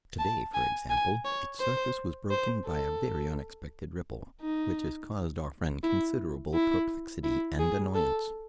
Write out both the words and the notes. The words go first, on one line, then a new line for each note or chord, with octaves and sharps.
Today, for example, its surface was broken by a very unexpected ripple, which has caused our friend considerable perplexity and annoyance.
A5
G#5
G#5
C#5
C5
C5
A4
D#4
E4
E4
E4
G#4
A4